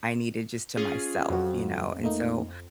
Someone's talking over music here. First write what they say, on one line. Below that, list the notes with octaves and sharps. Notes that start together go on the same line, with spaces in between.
I needed just to myself, you know, and so
C#4 F4 G#4
F2 F#3 F#4
A3 A#3 D#4